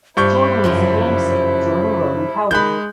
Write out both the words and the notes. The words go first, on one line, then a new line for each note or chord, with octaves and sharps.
Jordan was the namesake of Jordan Road in Kowloon.
G2 E4 C5 C#6 G6
F#2 C#3 F3
D#3 G#3 B5 F#6 G6